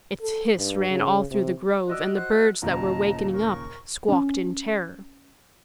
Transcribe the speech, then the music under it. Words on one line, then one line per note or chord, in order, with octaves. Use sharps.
Its hiss ran all through the grove and the birds that were wakening up squawked in terror.
A4
G2
C#3
C3
F#4 D5 D#5 E6 F#6
C5 F#5 F#6
D#2 A#2 C#3 D#5 A5 A#5
A#4 C#6
C#4 D4